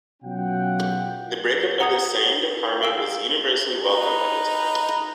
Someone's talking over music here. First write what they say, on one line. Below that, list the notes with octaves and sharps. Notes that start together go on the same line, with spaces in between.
The breakup of the Seine department was universally welcomed at the time.
B2 F#3 C#4 F4 F#5 G5
F#5 A#5 D#6 G#6
F5 G5 E6
D#4 B4